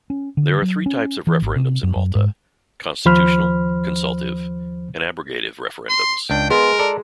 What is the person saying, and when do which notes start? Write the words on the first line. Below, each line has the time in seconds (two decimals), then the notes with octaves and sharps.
There are three types of referendums in Malta: constitutional, consultative and abrogative referendums.
0.10 C#4
0.37 D3
0.62 F#3
0.86 C#4
1.27 E3
1.42 G#1
1.56 C3
1.83 F#2
1.96 F#2
2.15 G#2
3.05 D#2 F3 C5 B5 F6
5.89 C6
6.30 C#2 D4 G5
6.50 G#3 B3 A#4
6.79 A4 D5 A#5